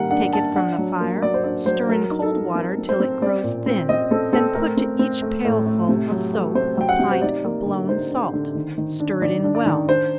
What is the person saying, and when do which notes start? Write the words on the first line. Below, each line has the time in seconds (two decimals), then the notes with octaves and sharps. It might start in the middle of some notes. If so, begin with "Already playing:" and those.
Take it from the fire, stir in cold water till it grows thin, then put to each pailful of soap a pint of blown salt--stir it in well.
Already playing: D#3 G3 A#3 F#5
0.11 D4 F#5
0.33 D4 A5
0.55 D4 F#5
0.78 F#3
1.00 A#3
1.22 F#3 D5
1.34 C5
1.44 D4 D5
1.66 F#3 C5
1.89 F#3 A#4
2.11 D#4
2.22 A4
2.33 D#4
2.55 C4 A#4
2.78 C4
2.89 C5
3.00 C4
3.22 C4 D5
3.44 A#2
3.66 C4
3.89 C4 D#5
4.11 C4 A4
4.33 C4 A4
4.55 A3 A#4
4.77 C4
4.99 C4
5.22 A3
5.45 A2
5.66 A3
5.89 C3
6.11 F#3
6.34 A3
6.55 C3 C5
6.78 F#3 G5
6.89 F#5
6.99 C3
7.11 C5
7.22 D#4 D5
7.45 A#3
7.66 D3
7.88 D#4 C5
8.11 D3
8.34 D3
8.55 D#3
8.78 D#3
9.00 D4
9.21 D#3 D5
9.44 D4
9.55 D5
9.66 D#3
9.88 D4 C5